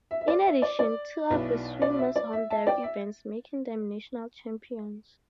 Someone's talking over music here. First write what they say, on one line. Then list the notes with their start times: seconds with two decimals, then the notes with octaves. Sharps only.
In addition, two of the swimmers won their events, making them national champions.
0.11 E5
0.21 E5
0.28 D5
0.46 E5
0.62 D5
0.79 D5
1.30 B1 B2 B3 E4
1.82 D5
1.99 E5
2.16 D5
2.33 E5
2.50 E5 A5
2.67 D5 G5
2.84 E5